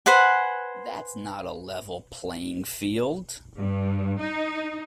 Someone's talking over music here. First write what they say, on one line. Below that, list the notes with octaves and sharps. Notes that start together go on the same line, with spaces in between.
That's not a level playing field.
B4 C5 F#5 G#5
G2
D#4